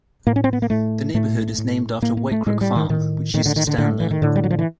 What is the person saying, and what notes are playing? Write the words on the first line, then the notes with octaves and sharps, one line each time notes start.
The neighbourhood is named after Whitecrook farm, which used to stand there.
A2 A#3
C#4
C4
B3
A#3
A2 A3
A2 A3
A2
A2 A#3
A#3
A3
A2 G#3
G3
D#3
A2 D#3
A2 D#3
D3
D#3
D3
A2 D3
E3
D#3
A2 D3
G3
F#3
F3
E3